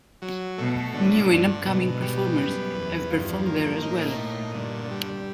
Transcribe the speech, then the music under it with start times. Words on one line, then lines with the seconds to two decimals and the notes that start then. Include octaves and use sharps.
New and upcoming performers have performed there as well.
0.22 F#3
0.58 B2 A3
0.94 A2 D3
1.30 G2 D3
1.66 G#2 B2
2.02 G3
2.38 F#2 B3
2.74 E2
3.10 G2 F3
3.47 A#3
3.82 A2 D#4
4.19 A#2
4.54 G2 D3
4.91 G3